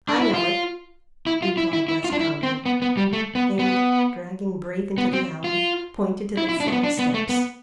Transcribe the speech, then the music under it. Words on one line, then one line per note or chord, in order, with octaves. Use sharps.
"I know it," replied West calmly; and, dragging Braith into the alley, pointed to the cellar steps.
D4
E4
F4
E4
F4
E4
E4
E4
F4
D4
E4
C4
B3
B3
G3
A3
B3
B3
B3
C4
F4
E4
E4
D4
A3
B3
D4
B3
A3
B3